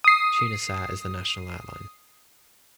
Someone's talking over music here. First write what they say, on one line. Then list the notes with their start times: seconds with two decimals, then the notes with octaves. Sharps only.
Tunisair is the national airline.
0.04 D#6 C7